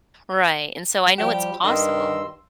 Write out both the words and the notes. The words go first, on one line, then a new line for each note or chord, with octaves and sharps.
Right, and so I know it's possible.
F3 G3 G4
G2 D#3 C6 E6